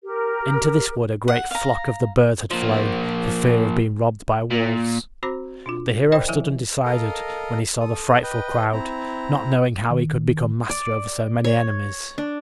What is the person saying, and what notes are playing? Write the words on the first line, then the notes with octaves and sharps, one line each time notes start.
Into this wood a great flock of the birds had flown for fear of being robbed by wolves. The hero stood undecided when he saw the frightful crowd, not knowing how he could become master over so many enemies.
G4 A#4
F#5
F5 A#5
F3 A#3
A#2
C4 F#4 C5 B5 D6 A#6
B2 D4 F4
A#4 C5 D5 D#5 G5 B5
D#3 F3 E4 E5 G#5
A4 A#4 D#5 F5
A4 D#6
B4 D#5 G5
C4 E4 A#5
D#3
D5
C#5
D4